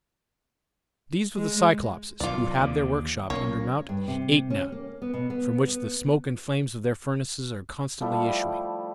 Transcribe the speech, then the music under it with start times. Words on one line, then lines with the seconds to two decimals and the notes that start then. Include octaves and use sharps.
These were the Cyclopes, who have their workshop under Mount Aetna, from which the smoke and flames of their furnaces are constantly issuing.
1.38 G#3
2.20 B1 D#3 F4 D5
2.58 D#2 D3
3.30 B1 A#3 C#4 C#5
3.89 G2
4.08 C3
4.50 C#4
4.72 A#3
5.02 B3
5.14 B2
5.30 B3
5.68 B3
8.01 F3 G3 A3 E4